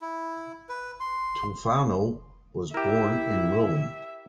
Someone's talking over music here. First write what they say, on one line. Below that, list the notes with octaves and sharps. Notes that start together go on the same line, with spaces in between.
Tofano was born in Rome.
E4
B4
C6
E4 G4 A#4 E5